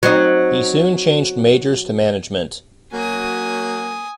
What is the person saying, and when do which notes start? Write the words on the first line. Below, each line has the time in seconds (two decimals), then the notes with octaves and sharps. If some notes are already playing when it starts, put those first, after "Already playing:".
He soon changed majors to management.
0.03 F#3 C4 D#4
2.93 F#3 A#3 C#4 F#4 G#5 D#6